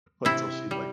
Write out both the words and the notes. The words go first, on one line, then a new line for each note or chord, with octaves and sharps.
until she, like
C3 E4
G3